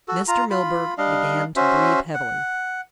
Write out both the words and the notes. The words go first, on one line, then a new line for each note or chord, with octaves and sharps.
Mr. Milburgh began to breathe heavily.
F#4 A4
F4 A#5
F4 B5
G3 D4 D#5 F5
C#4 F#4 C5 E5
F#5